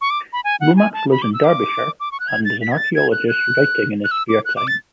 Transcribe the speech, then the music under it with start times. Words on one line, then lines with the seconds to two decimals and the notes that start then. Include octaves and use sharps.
Lomax lives in Derbyshire and is an archaeologist, writing in his spare time.
0.01 C#6
0.10 D6
0.33 B5
0.44 G#5
0.61 F#5
0.77 G#5
0.93 A5
1.11 B5
1.22 D6
1.34 E6
1.44 D6
2.00 D6
2.12 C#6
2.20 F#6
2.28 G#6
2.45 A6
2.62 B6
2.72 G#6
2.78 A6
2.95 G#6
3.12 F#6
3.29 F#6
4.04 F#6
4.11 E6
4.29 D6
4.45 F#6
4.57 D6
4.67 A6